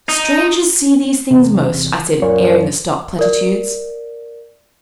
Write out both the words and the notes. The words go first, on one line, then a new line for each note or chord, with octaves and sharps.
'Strangers see these things most,' I said, airing the stock platitudes.
D#4
E2 C3
F#2 A#2 C#5
A#4 D5 E5